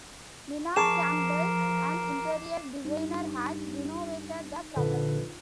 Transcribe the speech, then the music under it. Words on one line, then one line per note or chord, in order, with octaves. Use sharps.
Nina Campbell, an interior designer, had renovated the property.
F3 G#4 A#4 A5 C#6 D6 C7 E7
G2 D#4
A#1 D3 A4 B4